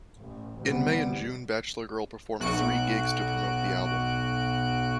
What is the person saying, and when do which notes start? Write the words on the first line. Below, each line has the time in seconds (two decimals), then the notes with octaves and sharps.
In May and June, Bachelor Girl performed three gigs to promote the album.
0.18 A1
0.61 D2 C3 G3 B3
2.40 B1 F#4 F#6 D7